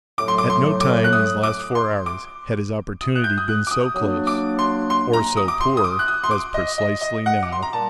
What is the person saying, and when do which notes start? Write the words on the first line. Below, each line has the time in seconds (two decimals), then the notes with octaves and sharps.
At no time these last four hours had his opportunity been so close--or so poor--as precisely now!
0.18 A2 F#3 A3 D6
0.28 C6
0.38 D6
0.50 C6
0.81 D6
1.04 F#6
1.13 D#6
1.43 D6
1.75 C6
2.06 D6
3.01 D#6
3.16 F#6
3.24 G6
3.38 D#6
3.49 F#6
3.67 D6
3.71 D#6
3.95 F#3 A#3 D4 D#6
4.27 D6
4.59 C6
4.90 C6
5.13 A#5
5.37 D#6
5.48 D6
5.61 C6
5.77 D#6
5.84 D6
5.99 F#6
6.08 D#6
6.24 C6
6.31 D6
6.54 D#5
6.78 D#5
7.01 D#5
7.26 F#5
7.43 D6
7.52 C6
7.62 A#5
7.72 A#2 G3 A5